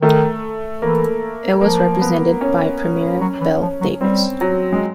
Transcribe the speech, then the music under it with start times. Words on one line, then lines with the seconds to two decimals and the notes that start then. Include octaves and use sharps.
It was represented by Premier Bill Davis.
0.02 D#3 A3
0.82 E3 A#3
1.61 F3 A#3
2.02 B3
2.41 C#4
3.21 F#3
3.41 E3
3.62 F3
3.81 F#3
4.01 G3 C4
4.41 F#3
4.72 G#3